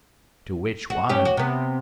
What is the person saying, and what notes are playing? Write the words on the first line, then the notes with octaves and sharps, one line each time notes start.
"To which one?"
F#4
G2 C#4 G4
F#4
C3 B3